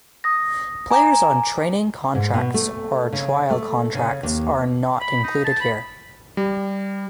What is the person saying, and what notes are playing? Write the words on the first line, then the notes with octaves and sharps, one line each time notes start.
Players on training contracts or trial contracts are not included here.
D#6 A#6
G#5 A#5 D6
G#2
B2
A3
C#3
A3
C#3
D#2
B5
D#4
A5
B5
G3